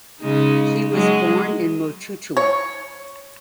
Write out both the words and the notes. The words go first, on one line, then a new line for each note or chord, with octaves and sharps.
He was born in Motootua.
C#3 G#3 D#4
F#3 G#3
C#5